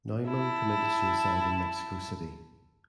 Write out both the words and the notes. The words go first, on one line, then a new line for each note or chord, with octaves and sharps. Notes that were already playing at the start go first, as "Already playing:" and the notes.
Neumann committed suicide in Mexico City.
E4 A5